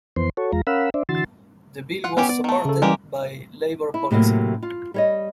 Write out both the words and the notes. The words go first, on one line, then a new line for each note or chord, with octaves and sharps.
The bill was supported by Labor policy.
F2 E3 B3 C5 C6
F#4 A4 C#5
E2 G#3 F4 A#5
C#4 A#4 F5 F#5 B5 E6
D4 C5 D5 E5
D3 E3 F#4 C6 E6 A6
F4 F#5
E3 B3 C#4 G4
D5
D#3 A3
C#3 A4
E3 G3 G#3 A#3 C#4 G4
E4
A2 C3 F#3 A3 A#3
F4
G3 C#5 D#5